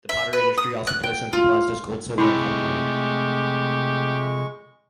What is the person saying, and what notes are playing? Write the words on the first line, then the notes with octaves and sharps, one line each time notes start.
The pottery industry also employs some people as does gold, silver and copper mining.
E5
B4
D#6
F#6
G5
F4
C3 G#3 A3 E4 G4 B5 C#6